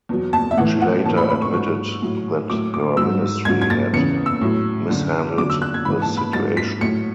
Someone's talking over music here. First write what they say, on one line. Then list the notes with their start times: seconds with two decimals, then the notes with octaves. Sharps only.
She later admitted that her ministry had mishandled the situation.
0.09 E2 B2 F#3
0.33 A5
0.51 E5
0.57 A2 E3 F#5
0.82 F#5
1.05 A2 E3 A5
1.17 B5
1.30 B5
1.42 C#6
1.54 G#2 F#3 C#6
2.02 A2 F#3
2.50 A2 F#3 D6
2.74 D6
2.97 G#2 F#3 E6
3.45 G#2 F#3 G#6
3.62 G#6
3.70 A6
3.93 E2 C#3 E3 C#7
4.26 E6
4.41 A2 F#3
4.90 F#2 D3 F#3
5.37 E2 D3 F#3 D6
5.50 E6
5.62 F#6
5.74 G#6
5.85 G#2 E3 B5
6.02 A5
6.18 B5
6.33 G#2 F#3 A6
6.57 B6
6.81 A2 F#3 C#7